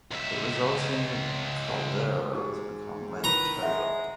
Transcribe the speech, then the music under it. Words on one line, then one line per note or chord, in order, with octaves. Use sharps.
The resulting caldera has become Lake Toba.
C#2 E5
G#2 F#4 G4 D6
D#3 E4 B4 A#5
G#3 E5 F#5